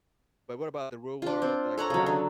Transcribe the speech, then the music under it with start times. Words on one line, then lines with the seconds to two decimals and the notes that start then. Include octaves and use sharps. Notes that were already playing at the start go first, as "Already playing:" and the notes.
But what about The Real World, like, Challenge?
1.22 D4 F4
1.42 C4
1.78 A4 C#5 F#5 A#5
1.90 C#3 F#3
2.06 D3